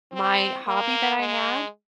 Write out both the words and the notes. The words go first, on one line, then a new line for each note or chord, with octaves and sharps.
my hobby that I had,
C4
A#3
G#3